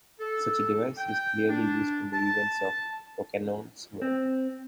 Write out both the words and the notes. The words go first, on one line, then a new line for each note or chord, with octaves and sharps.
Such a device is clearly used in the events of "Rocannon's World".
A4
G5
D4
A5
C4